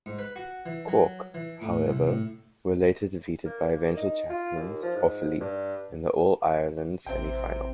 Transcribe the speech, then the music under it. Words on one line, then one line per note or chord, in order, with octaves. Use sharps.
Cork, however, were later defeated by eventual champions Offaly in the All-Ireland semi-final.
G#2
B4
F#4
E3
F#3
E3
A2
C2
A2
A#3
A#3
D#4
F4
D#2
F3
G#2
G2
A1 C3 E3 C4 G5